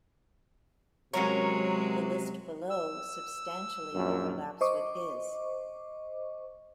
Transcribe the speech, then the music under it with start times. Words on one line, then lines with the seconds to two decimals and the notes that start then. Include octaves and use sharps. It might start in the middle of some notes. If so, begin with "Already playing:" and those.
The list below substantially overlaps with his.
1.14 C3 F#3 G#3 C#4 F#4 A#4 C#5
2.70 E6
3.92 A#1 F#2
4.61 C5 D#5 C#6 D6